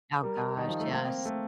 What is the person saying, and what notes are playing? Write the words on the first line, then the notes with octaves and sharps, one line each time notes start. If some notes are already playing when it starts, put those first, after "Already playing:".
Oh, gosh, yes.
G3 A#4
D#3 D#4
F3
A3
A#3 C4
A3